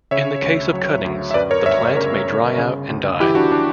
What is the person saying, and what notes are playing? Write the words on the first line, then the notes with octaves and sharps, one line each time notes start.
In the case of cuttings, the plant may dry out and die.
C#3 C#5 E5
D2
F#3
D2
E5
F#2 B4 D5
A#4 C#5
G1 C#5 E5
C#3 A#4 C#5
G1
C#3
D2
E3 E4 G4
D4 F#4
D4